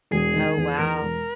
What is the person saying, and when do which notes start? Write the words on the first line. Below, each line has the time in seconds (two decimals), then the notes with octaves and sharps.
Oh, wow.
0.12 E1 G#4
0.34 D#3
0.57 E2
0.79 E2 A#4
1.01 E1